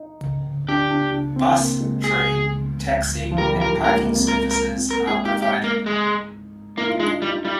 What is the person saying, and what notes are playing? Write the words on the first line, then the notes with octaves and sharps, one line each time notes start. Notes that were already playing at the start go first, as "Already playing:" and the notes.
Bus, train, taxi and parking services are provided.
Already playing: D#4
D4 G4
D4
D4
C4
A#3
G#3
G#4
F3
G3 A#4
G3
F3
A#4
G3
A#3 A#4
G#3
A#3
C4
A#3 A#4
C4
A#4
C4
A#3 A#4
G#3 G#4
D#4 G4
G4
A#3
G#3
A#3 D#4
F4
D#4
G#3
D4
D#4
G3
D#4
G3 D#4